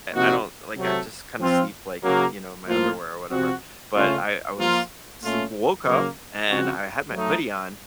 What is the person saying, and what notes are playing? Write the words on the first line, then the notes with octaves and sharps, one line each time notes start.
I don't like I just kind of sleep like, you know, in my underwear or whatever but I I was s woke up and I had my hoodie on
C3 F3 A#3 D#4 F#4
C3 F#3 A3
F3 C4 F4
C#3 F#3 A#3
A2 F3 A#3 F4
C3 F3 C4 F#4
C#3 A3 C#4 F4
F3 A#3 F4
A#2 A3 C#4 F4
C#3 F#3 A#3
C#3 F3 C4 F#4
F#3 A3 D#4